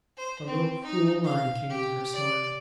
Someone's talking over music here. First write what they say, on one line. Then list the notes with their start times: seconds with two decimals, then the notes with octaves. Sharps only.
A little cruel line came into her smile.
0.17 C5
0.47 C4
0.83 D#4
1.24 F5
1.69 G4
2.13 D5